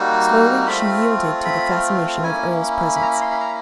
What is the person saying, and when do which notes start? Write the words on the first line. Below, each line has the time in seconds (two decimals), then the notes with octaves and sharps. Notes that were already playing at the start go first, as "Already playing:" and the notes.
Slowly she yielded to the fascination of Earle's presence.
Already playing: G3 A#3 D#4 F#4
0.67 A3 C4 F4 B5
1.45 B5
2.24 A#3 C#4 E4 G#5
2.96 B5
3.02 A#5
3.12 B5
3.21 C6
3.31 B5
3.40 A#5